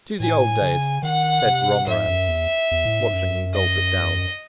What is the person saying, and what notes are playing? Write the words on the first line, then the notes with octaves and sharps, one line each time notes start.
"To the old days," said Romarin, watching him gulp it down.
A2 G#5
C#3
D#3 F#5
C3
G#2 E5
F#2
E2
E2
A2
G#2
F#2
D#5